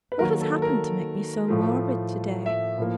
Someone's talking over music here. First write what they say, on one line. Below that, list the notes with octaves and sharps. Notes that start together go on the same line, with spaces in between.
What has happened to make me so morbid to-day?
B4
D#3 F#3 A#3 A#4
A4
A#4
A2 F3 A3
E5
A2 F3 A#3